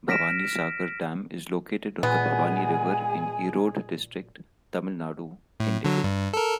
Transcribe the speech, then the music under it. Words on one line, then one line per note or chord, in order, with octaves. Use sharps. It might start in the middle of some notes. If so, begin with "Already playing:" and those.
Bhavanisagar dam is located on the Bhavani river in Erode district, Tamil Nadu, India.
F6 A#6 B6 D7 E7
A#2 G#3 B3 G#4 G#5
A2
D3 F#3
G2
A4 A#4